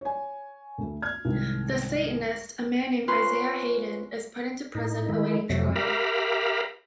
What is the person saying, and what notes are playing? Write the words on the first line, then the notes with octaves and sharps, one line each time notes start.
The Satanist, a man named Isaiah Haden, is put into prison awaiting trial.
C#5 G#5
D2 A3
F6 G#6
C2 G#2 D#3
C#4 F4 B4 C5 C6
A2 D#4
D#3 G#3 E4
F2 C3 F#3 A3
G4 A#4 E5 F5 A#5 B5